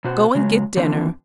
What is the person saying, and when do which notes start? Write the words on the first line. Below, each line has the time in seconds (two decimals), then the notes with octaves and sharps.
Go and get dinner.
0.05 B2 F#4 C5
0.35 C#3 F#3 G#3
0.77 D3 E3 F3 A#3 C4